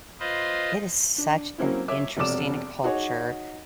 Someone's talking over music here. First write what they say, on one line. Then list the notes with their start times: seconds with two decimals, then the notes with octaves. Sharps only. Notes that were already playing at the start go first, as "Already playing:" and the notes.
It is such an interesting culture,
0.20 F4 B4 C5 D#5
1.18 D4
1.58 F#3 A#3 C4 C#4 E4
1.88 C#5 E5 D6
2.17 E1 F2 C3 D5 D6 E7
2.83 D#4 F#4 G#4 C#5